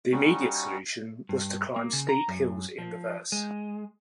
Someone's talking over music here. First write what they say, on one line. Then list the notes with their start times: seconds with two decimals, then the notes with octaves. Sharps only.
The immediate solution was to climb steep hills in reverse.
0.13 G3 C#4 D#4 F#4
1.29 G2
1.76 A#3
1.93 C#3
2.09 A#5
2.28 F#2
2.78 F3
3.32 G#3